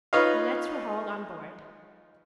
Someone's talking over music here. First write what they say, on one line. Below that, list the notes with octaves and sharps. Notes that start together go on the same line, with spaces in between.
The nets were hauled on board.
D#4 F4 B4 C#5 D#5 F5